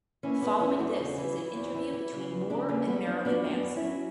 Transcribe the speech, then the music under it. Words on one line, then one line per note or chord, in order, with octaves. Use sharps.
Following this is an interview between Moore and Marilyn Manson.
E3 A#3 C#4
E2 B3 D4
E2 C#4 E4
E2 D4 F#4
C#3
E3
E3
E2
E3
E3
C#3
E2
C#3 B3 D4
E2 A#3 C#4
E2 G3 B3
E2 B3 D4
F#3 B3 D4
F#2
B3 D4
F#2
C#4 E4
F#3